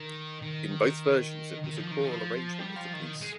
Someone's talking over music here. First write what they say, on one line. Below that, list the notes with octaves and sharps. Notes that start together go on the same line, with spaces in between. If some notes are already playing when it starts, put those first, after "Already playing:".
In both versions it was a choral arrangement of the piece.
Already playing: D#3
D#3
D#3
F3
D#3
F3
G3
F3
D#3
G#3